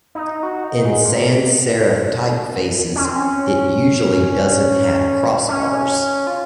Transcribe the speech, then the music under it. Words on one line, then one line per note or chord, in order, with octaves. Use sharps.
In sans-serif typefaces it usually doesn't have crossbars.
D#4
F#4
D#4
G#3
A#3
C#4
C4
C#4
C#4
F4